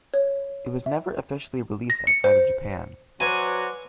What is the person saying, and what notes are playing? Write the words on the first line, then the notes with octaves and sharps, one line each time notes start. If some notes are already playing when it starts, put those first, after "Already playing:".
It was never officially released outside of Japan.
C#5
E5
A#6
C#7
C5
F#3 B4 C5 D5 E5 F#5 G#5